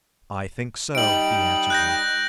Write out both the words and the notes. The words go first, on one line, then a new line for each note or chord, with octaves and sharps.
"I think so," he answered me.
G3 D#4 D7 F#7
F#6 G6 A#6